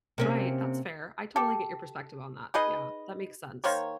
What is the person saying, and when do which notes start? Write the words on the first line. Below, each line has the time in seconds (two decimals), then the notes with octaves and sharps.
Right, that's fair, I totally get your perspective on that, yeah, that makes sense.
0.18 C3 A#3 C#4
1.36 G4 A4
2.54 D#4 G#4 B4 D#5
3.64 D#3 A#3 C5 C#5